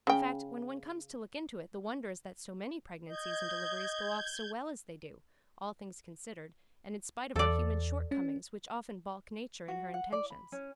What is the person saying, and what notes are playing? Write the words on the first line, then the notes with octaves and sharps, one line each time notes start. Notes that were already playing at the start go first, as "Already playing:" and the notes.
In fact when one comes to look into it the wonder is that so many pregnancies and deliveries go off so well as they do, all things considered and in spite of our human shortcomings which often baulk nature in her intentions.
C#3 G5
D#5 G6 G#6
E2 A4 D5
C#4
F#4
F#5
D5
B5
C#4